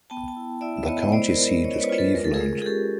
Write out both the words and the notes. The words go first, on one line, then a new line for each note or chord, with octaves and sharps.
The county seat is Cleveland.
B3 G5 A5
G5 A5
E4
E4 D5 E5
E5
B3 C#5 D#5
D#5
G#3 C5 D5
A#4 C5
G#3
C#4 C#5 D#5
D5
B4 C#5
F4
A4 B4
G#3 A#4
A4
G#4 A#4
G#3
G#4
C#4 G4 A4